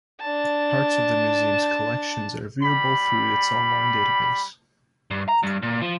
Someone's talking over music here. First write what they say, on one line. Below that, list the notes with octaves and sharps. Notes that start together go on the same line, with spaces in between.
Parts of the museum's collections are viewable through its online database.
D4 A5
G3 B5
G2
A#5
G2
A#2
F3